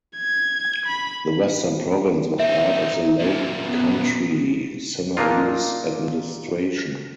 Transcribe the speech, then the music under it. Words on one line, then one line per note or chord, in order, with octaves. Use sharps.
The Western Province was part of the Low Country Sinhalese administration.
G#6
B5
C4 D#4 E5
F#2 A#2
B3
A#2 A#3 D4 D#4 F4